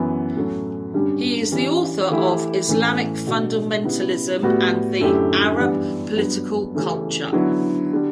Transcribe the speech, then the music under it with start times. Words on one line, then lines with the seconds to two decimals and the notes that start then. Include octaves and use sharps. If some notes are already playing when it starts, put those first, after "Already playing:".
He is the author of "Islamic Fundamentalism and the Arab Political Culture".
Already playing: F#2 E3 B3
0.36 A2 F#3 A3 C#4
0.94 G2 D3 G3 C#4 G4
1.52 E3 G3 C#4
2.10 E3 A3 E4 G4
2.68 A2 E3 A3 C#4
3.27 B2 A3 D4 F#4
3.84 C#3 G3 B3 E4
4.43 A2 G3 B3 F#4
5.01 F#2 D3 A3 E4 G4
5.59 G2 E3 G3 B3 D4
6.17 G2 F#3 B3
6.75 C#3 E3 A3 C#4 G4
7.33 D3 F#3 B3 E4
7.93 D3 G3